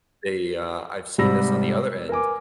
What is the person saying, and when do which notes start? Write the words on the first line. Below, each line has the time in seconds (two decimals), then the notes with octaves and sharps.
they, uh, I've seen this on the other end,
1.18 G#2 C3 G3 B5 E6 A#6
2.09 A#4 B4 G#5 D6